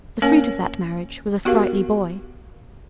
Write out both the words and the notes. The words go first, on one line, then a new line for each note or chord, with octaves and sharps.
The fruit of that marriage was a sprightly boy.
A#3 C#4 A#4 C#5 G#5
B3 F#4 G4 A#4 F5